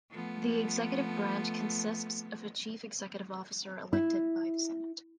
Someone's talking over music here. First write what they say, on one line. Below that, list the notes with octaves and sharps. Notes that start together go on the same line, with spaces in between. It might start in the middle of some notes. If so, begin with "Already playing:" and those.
The executive branch consists of a chief executive officer elected by the Senate.
F3 A3 B3
E4